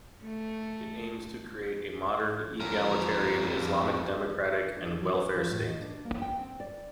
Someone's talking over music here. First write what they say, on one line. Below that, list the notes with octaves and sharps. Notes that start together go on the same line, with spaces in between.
It aims to create a modern, egalitarian, Islamic democratic and Welfare state.
A3
F2 A#4
D4
F#3
B4
F3
A2
D#5
D4
A#3
G5
C4
D5